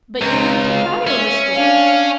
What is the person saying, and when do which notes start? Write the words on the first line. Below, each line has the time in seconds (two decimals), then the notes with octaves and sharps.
"But you like to cry over stories?"
0.21 C#2 C4 A#5
0.58 F5
1.07 C#4 E5
1.54 D4 F5